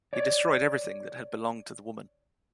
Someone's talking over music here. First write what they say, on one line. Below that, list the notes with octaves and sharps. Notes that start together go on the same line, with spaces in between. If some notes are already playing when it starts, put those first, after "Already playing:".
He destroyed everything that had belonged to the woman.
C#5 D5